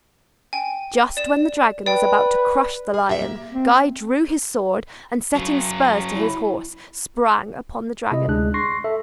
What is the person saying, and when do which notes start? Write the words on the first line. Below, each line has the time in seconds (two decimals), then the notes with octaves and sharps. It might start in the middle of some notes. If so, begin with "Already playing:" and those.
Just when the dragon was about to crush the lion Guy drew his sword, and setting spurs to his horse, sprang upon the dragon.
0.53 G5 G#5
1.17 D5 E7
1.86 B4 D5 G5
2.94 G#4
3.09 G4 E5
3.22 A#3
3.52 C4
5.36 C#3 F#3
6.15 E4
8.12 C3 E4 D#5
8.28 D2 G#3 D4 G#4 F#6
8.54 C6 C#6 A#6 C7
8.84 A4 E5